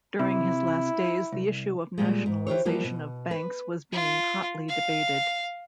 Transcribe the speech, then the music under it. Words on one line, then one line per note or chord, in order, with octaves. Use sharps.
During his last days, the issue of nationalization of banks was being hotly debated.
C3 E4
C2
A#2 G3 G#3
G#2
E3 G4 C5 C#5
E3 F3 G3 A#3
B2
B4
F4
F5